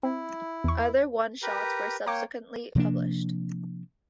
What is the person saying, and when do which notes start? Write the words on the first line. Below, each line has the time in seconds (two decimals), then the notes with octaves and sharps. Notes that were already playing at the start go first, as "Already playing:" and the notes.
Other one shots were subsequently published.
0.03 C4 E4
0.64 E2 C#6
1.42 G4 A#4 B4
2.06 A#3 C#5 G5 A#5 D6
2.75 C3 F3 A#3 D4